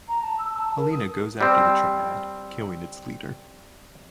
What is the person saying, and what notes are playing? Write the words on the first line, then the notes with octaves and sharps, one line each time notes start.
Helena goes after the Triad, killing its leader.
A#5
A5
E6
A5
A#4
D#6
G3 C4